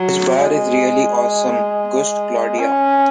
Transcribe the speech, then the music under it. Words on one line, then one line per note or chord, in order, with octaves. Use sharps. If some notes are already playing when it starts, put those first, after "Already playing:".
This bar is really awesome, gushed Claudia.
Already playing: F#3
G#3
C#4